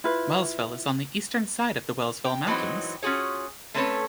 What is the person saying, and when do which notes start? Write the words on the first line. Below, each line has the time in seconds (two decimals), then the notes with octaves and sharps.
Wellsville is on the Eastern side of the Wellsville Mountains.
0.04 E4 F4 B4
2.25 G5
2.47 E3 F#3 G#3 C4 D#4
3.03 C#4 F4 F#4 G#4 C#5
3.74 A3 C4 C#4 A4 B4 C#5